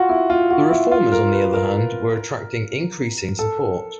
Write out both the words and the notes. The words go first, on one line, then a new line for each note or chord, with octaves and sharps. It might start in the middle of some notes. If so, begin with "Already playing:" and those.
The reformers, on the other hand, were attracting increasing support.
Already playing: F4 F#4
E4
F4
F#4
E4
F4
A#4
B4
A#4
A4